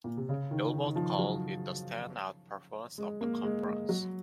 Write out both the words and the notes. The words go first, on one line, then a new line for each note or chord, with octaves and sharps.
"Billboard" called it the stand out performance of the conference.
A#2
C3
C#3
D#3
D#3
D#3
F3
F#3
G#3
A#3
G#3
G#3
F#3